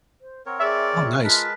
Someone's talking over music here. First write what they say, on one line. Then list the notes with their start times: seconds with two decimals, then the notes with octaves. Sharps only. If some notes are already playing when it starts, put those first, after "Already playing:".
Oh, nice.
0.21 C5
0.46 C4 A#4 C#5 F#5
0.60 G#4 D5 E5
1.24 G#3 F4 A#4 B4 A5